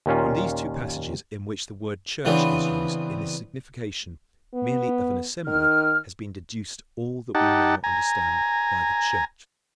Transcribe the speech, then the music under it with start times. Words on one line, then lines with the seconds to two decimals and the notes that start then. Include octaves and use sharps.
From these two passages in which the word church is used, in the signification merely of an assembly, has been deduced all that we now understand by the Church.
0.06 D#2 A#2 C#4 F4
2.25 C#3 E3 B3 C4 D4
4.54 B3
5.47 D#3 F6
7.35 D#4 G4 F#5 A5
7.84 G#5 A#5